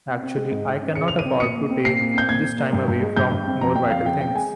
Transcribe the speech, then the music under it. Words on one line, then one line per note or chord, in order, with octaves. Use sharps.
Actually, I cannot afford to take this time away from more vital things.
C3
C4
G#3
G#2
G#2
C#4
C#3 C#7
C#3 F7
D#7
C4
A#2 C#7
A#2
C4
A#2 C7
A#2
C4 G6
A#2 G#6
A#2
A#3
G2
G2
G#3
G2 G6
G2
C4
F2 A#5
F2 G5
F3 F5
C#3 G5
C4 G5
G#3 G#5